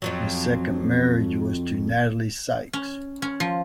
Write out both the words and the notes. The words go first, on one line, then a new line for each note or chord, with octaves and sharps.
His second marriage was to Natalie Sykes.
F2 F3 F#3
C#4
C#4
F3